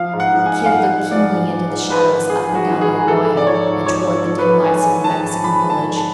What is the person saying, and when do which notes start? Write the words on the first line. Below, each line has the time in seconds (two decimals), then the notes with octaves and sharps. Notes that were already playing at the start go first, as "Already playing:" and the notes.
The Kid looked keenly into the shadows up and down the arroyo and toward the dim lights of the Mexican village.
Already playing: F3 F5
0.13 G#2
0.20 F#5
0.33 F3
0.46 G#5
0.52 G#2
0.66 F5
0.72 F3 F#5
0.92 G#2
1.11 F3 D5
1.32 G#2
1.51 F3
1.70 G#2
1.90 F3 B4
2.10 G#2
2.29 F3 G#4
2.49 G#2
2.55 F#4
2.69 F3
2.81 G#4
2.88 G#2
3.08 F3 A4
3.28 G#2
3.37 D5
3.47 F3 C#5
3.66 G#2
3.86 F3 C#5
4.06 G#2
4.26 F3
4.39 B4
4.45 G#2
4.64 F3 G#5
4.84 G#2
5.04 F3 A5
5.24 G#2
5.43 F3 B5
5.63 G#2
5.70 A5
5.83 F3
5.96 A5